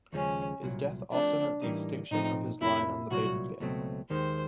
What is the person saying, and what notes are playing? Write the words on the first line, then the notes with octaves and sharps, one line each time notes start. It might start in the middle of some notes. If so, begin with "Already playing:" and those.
His death also meant the extinction of his line of the Baden family.
D#2 C#3 F3 G#3 C#4
C2 A#2 F#3
F3 A3 C4 D4
A2 E3 G3 A#3 D#4
A2 F3 A3 C4 D#4
F2 C3 F3 A#3 D4 E4
C2 A#2 F#3 F#4
C#2 B2 F#3 A3 C4
D#2 D#3 G#3 C5